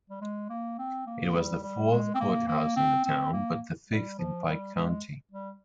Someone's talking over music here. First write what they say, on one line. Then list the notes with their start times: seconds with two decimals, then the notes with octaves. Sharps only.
It was the fourth courthouse in the town, but the fifth in Pike County.
0.10 G3
0.21 G#3
0.49 A#3
0.78 C4
1.06 A#3
1.35 G3
1.63 G3
1.91 G#3
2.14 C4
2.20 A#3
2.48 A#3
2.76 C4
3.05 C4
3.33 A#3
3.89 G3
4.18 F3
4.47 G3
4.75 G#3
5.31 G3